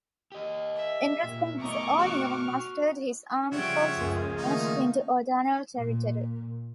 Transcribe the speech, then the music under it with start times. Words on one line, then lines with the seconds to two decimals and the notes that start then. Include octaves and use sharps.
In response, O'Neill mustered his armed forces and marched into O'Donnell territory.
0.32 G4 D#5
0.76 E5
1.23 A#2
1.60 B2 A3 D#5 A#5 C#6 D6
1.99 F#4 F6
3.52 C#3 F3 G3 C#5 E5 F#5 G5
3.93 C#2 F#2 G#3
4.37 D#3 A3 A#3 D#4
5.75 A#2